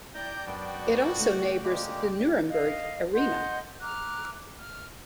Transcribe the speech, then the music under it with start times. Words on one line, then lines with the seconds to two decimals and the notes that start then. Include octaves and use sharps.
It also neighbors the Nuremberg Arena.
0.15 E4 D5 G5 A#5 G6
0.47 F#2 B3 D4 F#4
1.17 C#3 A3
1.64 G#3 A#3 G4
2.49 D#5 F5
3.14 D#5 F#5 C6 G6
3.81 A#5 D6 F6 F#6
4.58 F6